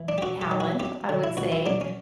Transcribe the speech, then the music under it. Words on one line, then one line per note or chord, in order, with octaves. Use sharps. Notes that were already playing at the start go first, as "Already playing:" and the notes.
talent, I would say,
Already playing: E3
D4
G4
F#2 F#4
G4
F#3
F#4
F#2 G4
D3
E4
C#2 F#4
E4
F#3 D4
C#4